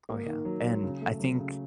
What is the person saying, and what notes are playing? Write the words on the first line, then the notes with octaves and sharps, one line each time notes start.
Oh, yeah, and I think,
A#3
D#3
F#3
F#3
C#3
A3
F#3
C#3